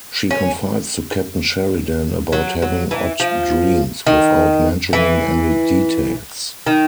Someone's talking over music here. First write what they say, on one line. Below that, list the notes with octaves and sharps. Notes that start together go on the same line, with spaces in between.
She confides to Captain Sheridan about having odd dreams, without mentioning any details.
C#4
F#3
F#3
E3
F3
D#3
E3
D#3